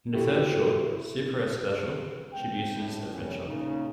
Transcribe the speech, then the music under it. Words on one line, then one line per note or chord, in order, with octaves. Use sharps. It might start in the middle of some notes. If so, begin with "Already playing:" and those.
In the third short, SuperS Special: Chibiusa's Adventure!
E4 F#4 G4 A4
C#2 C4 G#4 G5
A1 A2
A2 C3 F3 G3 C#4
A#2 C#3 D#4